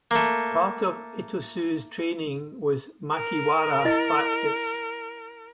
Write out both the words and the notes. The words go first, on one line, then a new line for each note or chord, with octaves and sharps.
Part of Itosu's training was makiwara practice.
A3 A#3
A#4
E4 D#5